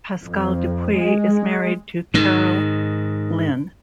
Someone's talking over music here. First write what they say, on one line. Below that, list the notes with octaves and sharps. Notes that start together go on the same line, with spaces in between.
Pascal Dupuis is married to Carole-Lyne.
F2
G#3
G#2 D#3